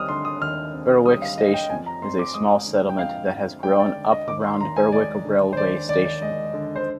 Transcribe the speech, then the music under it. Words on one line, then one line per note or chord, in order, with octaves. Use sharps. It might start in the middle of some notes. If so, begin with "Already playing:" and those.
Berwick Station is a small settlement that has grown up around Berwick railway station.
Already playing: D#2 G3 C4 D#6 F6
D3 C6
D#6
D#2 F6
C4
G3 D#6
F5
D3 D#5
G5
F2 G#5
A#5
C4 C6
D6
G#3 D#6
D3
G5
F2 F5
C4
G#3 G5
D5
D3
D#5
D#2 D6
C6
D#2 A#5
G#5
G#3 D5
D3
C5
D#2 D5
D#2 D5
D5
G#3 D#5
D3
C5